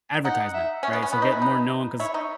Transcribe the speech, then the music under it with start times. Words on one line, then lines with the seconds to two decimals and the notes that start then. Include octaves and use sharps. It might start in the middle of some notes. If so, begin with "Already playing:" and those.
advertisement," right? So, get more known 'cause"
0.24 D#4 F#5
0.54 E5
0.83 C#4 C#5
0.93 B3
1.03 C#4
1.12 B3 B4
1.22 D#4
1.32 E4
1.42 D#4
2.00 E4 C#5
2.14 D#4